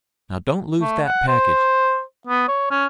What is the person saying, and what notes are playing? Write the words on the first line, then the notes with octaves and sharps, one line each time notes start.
Now don't lose that package.
A3
F#5
C5
B3
C#5
C#4